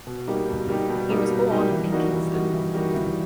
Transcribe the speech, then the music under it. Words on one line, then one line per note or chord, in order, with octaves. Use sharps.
He was born in Kingston.
B2
G3 A#3 D#4 G4
B2
G3 A#3 D#4 G4
B2
G3 A#3 D#4 G4
B2
G3 A#3 D#4 G4
E3
G3 A#3 D#4 F#4
E3
G3 A#3 D#4 F#4
E3
G3 A#3 D#4 F#4
E3